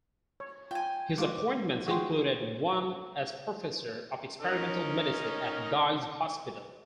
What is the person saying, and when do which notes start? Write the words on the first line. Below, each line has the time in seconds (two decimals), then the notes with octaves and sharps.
His appointments included one as Professor of Experimental Medicine at Guy's Hospital.
0.40 C#5
0.71 F4 G5 G#5
1.18 G#3 F4 F#4 D6
1.86 F#4 G#4 G5 C6
4.41 C#4 D#4 A#4